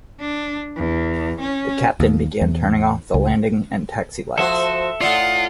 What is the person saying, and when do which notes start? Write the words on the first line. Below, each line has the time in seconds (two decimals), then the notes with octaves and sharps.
The captain began turning off the landing and taxi lights.
0.20 D4
0.76 E2
1.40 C#4
2.00 D#2
2.41 E2
3.14 C#2
4.38 F3 F#4 A4 C5 E5
5.01 A2 G3 F4 D5 F#5